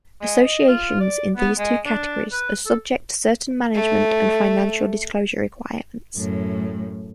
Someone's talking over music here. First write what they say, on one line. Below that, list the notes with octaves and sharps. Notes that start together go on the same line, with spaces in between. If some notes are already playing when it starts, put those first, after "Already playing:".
Associations in these two categories are subject to certain management and financial disclosure requirements.
G#3
D#5
F4
D5
B3
G#3
D4
B4
A4
A3
F#2 A2